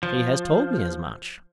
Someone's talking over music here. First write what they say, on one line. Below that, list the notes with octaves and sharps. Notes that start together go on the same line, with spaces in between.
"She has told me as much."
F3